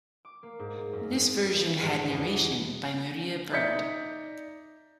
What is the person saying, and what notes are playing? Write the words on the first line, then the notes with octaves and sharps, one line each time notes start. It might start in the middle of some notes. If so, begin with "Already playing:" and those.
This version had narration by Maria Bird.
D6
A#3
G#2
F#2
G#3
B3
D#1
G#2
B6
E2
E3
D#4 D5 E5 G6 B6 C#7